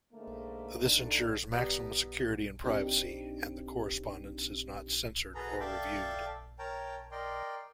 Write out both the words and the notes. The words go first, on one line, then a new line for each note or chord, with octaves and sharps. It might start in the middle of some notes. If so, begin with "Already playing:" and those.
This ensures maximum security and privacy and the correspondence is not censored or reviewed.
G#2 D3 A3 A#3
D3 A3 D4 D#4
G3 B3 D#4
C4 D4 D#4 G4
F#4 G#4 A4 B4 A#5
A4 D5 E5 F5 G5 A5
A#4 C#5 G5 A5 A#5
A#4 D5 D#5 G5 C6